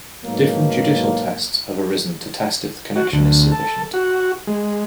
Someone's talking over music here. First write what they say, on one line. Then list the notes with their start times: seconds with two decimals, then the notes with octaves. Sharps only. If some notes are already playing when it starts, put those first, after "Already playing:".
Different judicial tests have arisen to test if the connection is sufficient.
0.25 G#2 B2 F#3 A#3
2.96 F#4
3.12 D2
3.52 A4
3.94 F#4
4.47 G#3